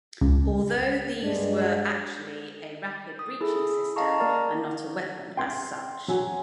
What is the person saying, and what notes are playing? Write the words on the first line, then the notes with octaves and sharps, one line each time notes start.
Although these were actually a rapid breaching system and not a weapon as such.
C#2
G2 G#3 D4
D#6
E4 G#4 A4
D#5 F5 A5 A#5 C#6
A#3 A#4 D5 A#5
G5 C6
F#3 G#5